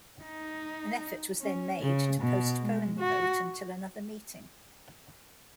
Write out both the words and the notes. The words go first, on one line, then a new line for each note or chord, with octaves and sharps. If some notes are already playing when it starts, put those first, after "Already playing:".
An effort was then made to postpone the vote until another meeting.
D#4
C#4
C#3
B2
G#3
F#4